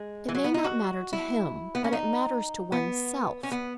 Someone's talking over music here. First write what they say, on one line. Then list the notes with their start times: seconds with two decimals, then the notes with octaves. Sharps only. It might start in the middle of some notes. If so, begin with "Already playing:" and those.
"It may not matter to him, but it matters to one's self."
Already playing: G#3
0.28 E3
0.35 F#3
0.44 B3
0.54 D#4
0.64 F#4
1.13 E4
1.75 B3
1.84 C#4
1.93 D#4
2.72 B3
3.43 C#4
3.52 B3